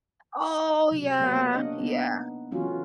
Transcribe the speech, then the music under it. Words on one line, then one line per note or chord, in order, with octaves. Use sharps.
Oh yeah, yeah,
C3 F#3
F#3 A#3 B3 A#4 C#5 F#5
D4 D#5
B3 D#4
E3 F#3 A3 C#4 F4 F#4